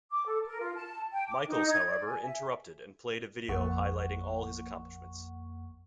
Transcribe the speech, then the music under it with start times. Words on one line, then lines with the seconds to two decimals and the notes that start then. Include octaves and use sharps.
Michaels, however, interrupted and played a video highlighting all his accomplishments.
0.11 D6
0.25 A4
0.46 A#4
0.60 F4
0.74 A5
1.12 G5
1.28 D6
1.47 D#4
1.70 G#6
1.88 D5
2.07 G#5
2.25 E5
3.48 A1 F2 A#3 F#5 C#6